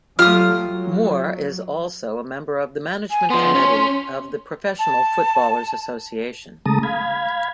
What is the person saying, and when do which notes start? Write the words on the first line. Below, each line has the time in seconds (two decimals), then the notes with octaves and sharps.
Moore is also a member of the management committee of the Professional Footballers' Association.
0.19 F#3 A3 F4 G4 D#6 F6
0.67 F#3
3.11 G#5
3.30 F3 B3 C6
3.55 C#4 C#5
4.79 A5
6.66 C#3 G#3 A3 A5 A#5 D#6
6.83 F5 B5 G#6